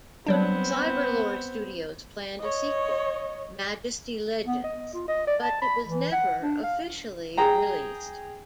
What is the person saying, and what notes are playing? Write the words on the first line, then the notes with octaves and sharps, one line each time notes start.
Cyberlore Studios planned a sequel, Majesty Legends, but it was never officially released.
F#3 G3 B3 C4 D4
C#5 D#5
B3
D#5
F4
D#5
D5
A5
B5
E3
F#5
D4
F5
G#4 G5 A#5